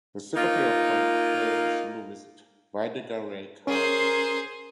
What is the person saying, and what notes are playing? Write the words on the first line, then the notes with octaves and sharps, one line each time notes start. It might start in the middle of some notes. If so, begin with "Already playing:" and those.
The Secretary of Foreign Affairs is Luis Videgaray Caso.
A#3 D#4 F4
C#4 G#4 A#4 C5